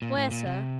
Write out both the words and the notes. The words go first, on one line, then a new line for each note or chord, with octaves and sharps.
"Where, sir?"
A#2
A2
A#2
C3